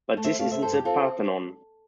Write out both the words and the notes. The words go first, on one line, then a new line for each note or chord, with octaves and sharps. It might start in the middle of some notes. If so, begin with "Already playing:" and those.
But this isn't the Parthenon.
A3
C5 E5
A3 D5 F5
C5 E5
G2 A4 C5
G4
C4 F4 A4